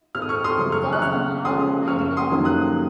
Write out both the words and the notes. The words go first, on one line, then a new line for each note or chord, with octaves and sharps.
Goes on how, my dear?
G#1 F6
D#6
C#6 F6
C6 D#6
F#2 C#3 F#3
C#6 F6
F#6
C#2 C#6 F6
C#3 F3 G#3 C#4 C6 D#6
F#1 C#6 F6
C6 D#6
F#2 D#3 F#3 A#3
D#6 F#6